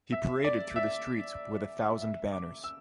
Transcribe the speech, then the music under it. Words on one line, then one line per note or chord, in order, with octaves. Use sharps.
He paraded through the streets with a thousand banners.
E5
D5
E5
E5
D6
E6